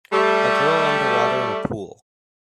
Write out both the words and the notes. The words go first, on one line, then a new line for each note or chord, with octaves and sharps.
A girl underwater in a pool.
G3 A3